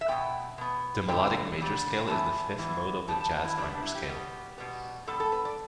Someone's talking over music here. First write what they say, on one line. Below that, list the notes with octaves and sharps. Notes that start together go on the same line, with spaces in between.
The melodic major scale is the fifth mode of the jazz minor scale.
E5
B2 B3 G5
B2 B3
G2 D3 G3 G5
G2 D3 G3
E2 E3 B3 A5
E2 E3 B3
G2 G3 B3 A5
A5
E4
G2 G3 B3 D4
D4
E4
G4
B2 G3 B3
B2 G3 B3
G2 G3 B3 A4
A4
B4
D5